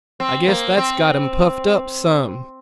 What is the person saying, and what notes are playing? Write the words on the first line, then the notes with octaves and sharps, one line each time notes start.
"I guess that's got him puffed up some."
C4
A#3
C4